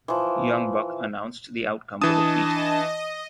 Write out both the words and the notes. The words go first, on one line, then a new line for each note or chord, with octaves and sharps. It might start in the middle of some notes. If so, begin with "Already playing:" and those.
Young Buck announced the outcome with a Tweet.
E3 F3
E3 D4 D#5 A5 D#6